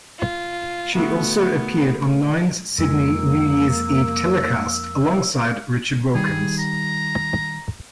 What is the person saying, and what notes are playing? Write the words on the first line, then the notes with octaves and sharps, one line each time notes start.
She also appeared on Nine's Sydney New Year's Eve telecast alongside Richard Wilkins.
F4
D2 A2 B3
F2 G#3 A#3 E6
D#3 G3 G#4
A#5